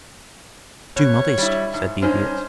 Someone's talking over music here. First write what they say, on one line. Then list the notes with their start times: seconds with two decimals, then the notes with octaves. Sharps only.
"Too modest," said the Idiot.
0.96 B2 C#5
1.38 G3 E4
1.73 G#2
2.02 G2 C#4 D#4 C5